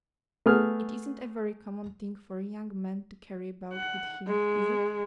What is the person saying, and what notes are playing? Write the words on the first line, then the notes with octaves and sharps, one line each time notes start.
It isn't a very common thing for a young man to carry about with him, is it?
A3 B3 G#4 F6
F#5
G#3